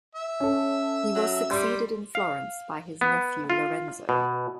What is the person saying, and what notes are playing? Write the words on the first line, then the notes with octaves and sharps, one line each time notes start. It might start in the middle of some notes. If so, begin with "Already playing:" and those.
He was succeeded in Florence by his nephew Lorenzo.
E5
C#4 A4
F#3
G3 C6
F5
B3
F4
B2